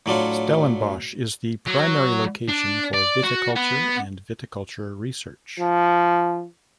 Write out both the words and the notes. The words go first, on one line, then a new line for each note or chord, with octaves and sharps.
Stellenbosch is the primary location for viticulture and viticulture research.
A2 F#3 D4 F4
F#3
D4
D5
F#4
B3
F3